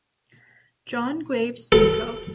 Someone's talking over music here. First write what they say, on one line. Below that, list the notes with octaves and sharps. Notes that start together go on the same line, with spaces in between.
John Graves Simcoe.
A4